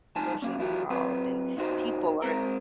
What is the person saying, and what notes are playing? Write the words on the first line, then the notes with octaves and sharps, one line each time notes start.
promotions involved, and people are
C#2 F3 D#4 G#5 A5
C#3 A#3 C#4
F3 E4 F#4 G4
F#3 C4 B4
A#2 D#4 F#4 C5
G#3 C4 A#4